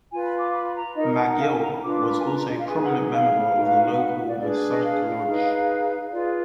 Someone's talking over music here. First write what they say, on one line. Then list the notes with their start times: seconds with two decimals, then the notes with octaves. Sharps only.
Magill was also a prominent member of the local Masonic lodge.
0.11 F4 B4 G#5
0.26 B5
0.39 D6
0.53 B5
0.76 A#5
0.96 D#4 A#4 D#5
1.18 F#5
1.40 F5
1.51 G#5
1.62 A#5
1.71 B5
1.83 D4 F4 B4 D6
1.98 D6
2.11 B5
2.21 G#5
2.25 A#5
2.37 A#5
2.47 D#5
2.58 F5
2.68 D#4 G#4 B4 G#5
2.84 F#5
3.12 F5
3.54 D#4 F#4 B4
3.98 F#5
4.26 D5
4.41 D4 G#4 B4 D5
4.68 D#5
4.83 F5
5.26 D#4 G#4 B4
6.12 F4 G#4 B4 D5